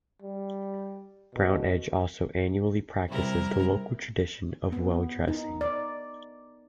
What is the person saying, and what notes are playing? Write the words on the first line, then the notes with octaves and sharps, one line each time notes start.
Brown Edge also annually practices the local tradition of well dressing.
G3
B2
C3 G3 E4 A#4
B3
D#4
D5